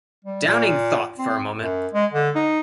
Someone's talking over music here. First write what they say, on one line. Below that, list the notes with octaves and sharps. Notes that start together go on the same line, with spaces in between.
Downing thought for a moment.
G3
A#2
C4
F#2
G#3
D3
D#4